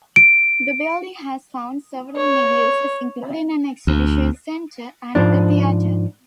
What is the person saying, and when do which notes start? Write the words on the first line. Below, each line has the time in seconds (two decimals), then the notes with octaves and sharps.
The building has found several new uses, including an exhibition centre and a theater.
0.16 D7
2.16 C#5
3.87 D2
5.15 G#2 F3 D4